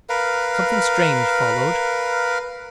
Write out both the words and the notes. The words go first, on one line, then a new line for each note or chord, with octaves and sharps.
Something strange followed.
A#4 B4 F5